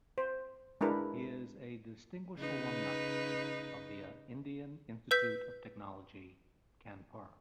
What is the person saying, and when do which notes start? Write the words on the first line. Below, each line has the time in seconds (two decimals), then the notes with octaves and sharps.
He is a Distinguished Alumnus of the Indian Institute of Technology, Kanpur.
0.18 C5
0.81 G#3 D4 E4 A#4 B4
2.38 C#3 D#4 B4
5.11 B4 E6 G6 B6